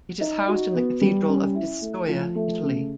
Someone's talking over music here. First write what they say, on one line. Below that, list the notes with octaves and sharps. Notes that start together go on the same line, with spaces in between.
It is housed in the Cathedral of Pistoia, Italy.
D#4
F#4
B3
G3
C#4
E4
A3
F3
A3
C#3